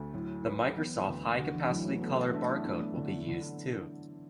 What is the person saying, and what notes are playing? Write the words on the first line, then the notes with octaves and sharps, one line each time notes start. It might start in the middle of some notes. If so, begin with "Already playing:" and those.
The Microsoft High Capacity Color Barcode will be used too.
Already playing: D2 A3
A2 F#3
B4
E3 B3
D2
D3 F#4
E3
E3
A2 F#3
A3
B3 A4
A3 D4
E4
A3 D4
B3
D3 E4
E4
D3